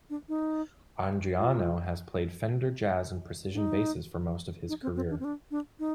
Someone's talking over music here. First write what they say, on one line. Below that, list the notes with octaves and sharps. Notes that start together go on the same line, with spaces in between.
Andriano has played Fender Jazz and Precision Basses for most of his career.
D4
D#4
F4
D4
D#4
D#4
C4
C4
D4
C4
D4
D4
D#4